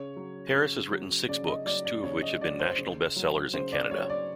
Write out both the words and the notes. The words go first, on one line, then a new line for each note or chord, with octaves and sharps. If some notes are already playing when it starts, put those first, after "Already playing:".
Harris has written six books, two of which have been national best-sellers in Canada.
Already playing: C#3 C#5
F#3
C#3
F#3
C#3 D5
D#5
F#3 D5
D5
C#3 C#5
D#5
F#3 D5
C5
C#3
F#3
C#3 C5
D5
F#3 C#5
D5